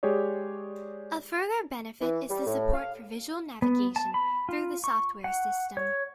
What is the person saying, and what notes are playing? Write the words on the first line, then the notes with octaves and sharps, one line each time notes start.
A further benefit is the support for visual navigation through the software system.
G#3 G4 G#4 C#5 D5
E3
G3
A2
F5
B3
A5
B5
F4
C#6
F#5
C#5